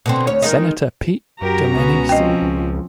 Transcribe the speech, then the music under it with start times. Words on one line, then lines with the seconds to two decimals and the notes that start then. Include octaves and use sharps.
Senator Pete Domenici.
0.06 B2 D3 C4
0.27 D2 C#5
0.42 D#3 G#3 D#4
1.42 F#2 F#4 G4 A#4 A#5
1.74 C#2 B2 B3 C#4
2.09 F3 C4 C#4 D#5 G5
2.42 C#2